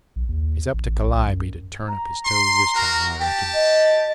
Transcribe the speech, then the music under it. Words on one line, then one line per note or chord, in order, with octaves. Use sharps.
It's up to Calliope to turn up his toes this time, I reckon.
A#1
D#2
A1
B1
F#2
A#5
C6
F#4 A#4
G4 G5 A5
D#5